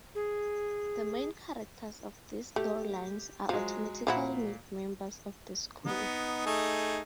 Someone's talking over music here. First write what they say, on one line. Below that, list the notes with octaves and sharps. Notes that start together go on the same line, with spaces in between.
The main characters of these storylines are automatically made members of the school.
G#4
A3 G4
F3 F#3 G#3
A#2 F3 E4 F#4
B3 D#4
A3 D#4 G#4